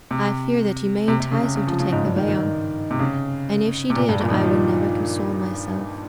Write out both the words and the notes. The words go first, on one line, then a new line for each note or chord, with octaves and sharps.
I fear that you may entice her to take the veil, and if she did I would never console myself.
C3
C3
C3
C#3
C3
C#3
F3
C#3
G#2
G2
D#3
D#3
C3
C#3
C3
A#2
G2
A#2
F3
D#3
F3